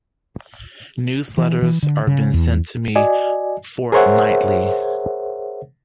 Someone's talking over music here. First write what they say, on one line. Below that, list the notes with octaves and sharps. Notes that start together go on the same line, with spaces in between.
Newsletters are being sent to me fortnightly.
E3
E3
D3
C#3
E2
F#4 D5 D#5 G#5
G#4 A#4 C5 C#5 E5 F#5